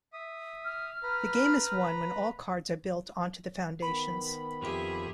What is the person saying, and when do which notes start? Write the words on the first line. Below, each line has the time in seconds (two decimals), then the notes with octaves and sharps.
The game is won when all cards are built onto the foundations.
0.13 E5 D#6
0.65 F6
1.03 B4 A#5 B5
3.82 D#3 B3 B5
4.62 F2 G4 G#4 E5